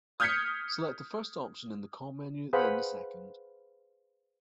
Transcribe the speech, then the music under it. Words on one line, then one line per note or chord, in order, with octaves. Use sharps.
Select the first option in the call menu, then the second.
D#6 F6 G6 G#6 B6 C#7
G#4 B4 C5 F5 F#5 B5